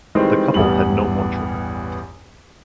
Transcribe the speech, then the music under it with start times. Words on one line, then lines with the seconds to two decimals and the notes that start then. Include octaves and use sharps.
The couple had no more children.
0.15 D#3 E3 G3 G#3 C4
0.54 A1 E2 G2 G3 F#7